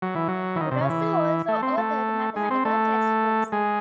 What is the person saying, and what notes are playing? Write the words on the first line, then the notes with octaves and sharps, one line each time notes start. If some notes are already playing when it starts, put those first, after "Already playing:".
Rosser also authored mathematical textbooks.
F#3
E3
F#3
E3
D#3
C3
C#3
E3
A3
C4
A3
G#3
C4
A3
G#3